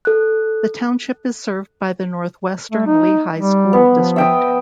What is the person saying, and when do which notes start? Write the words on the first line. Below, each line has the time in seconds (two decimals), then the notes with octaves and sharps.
The Township is served by the Northwestern Lehigh School District.
0.05 A4 F#6
2.72 A3
2.87 D#4
3.38 G3
3.73 B3
3.88 F3
4.16 E5 G5 D#6